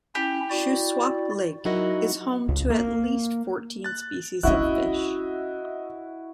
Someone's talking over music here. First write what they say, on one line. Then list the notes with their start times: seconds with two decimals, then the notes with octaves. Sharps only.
Shuswap Lake is home to at least fourteen species of fish.
0.15 C#4 E4 G4
0.50 E4 F#4 D5
1.65 F#3 D#4 E4 F#4 A#4 D#5
2.48 C#2
2.70 A#3
3.84 F#6 A6
4.43 C#4 D4 E4 F#4 D#5 E5 F#6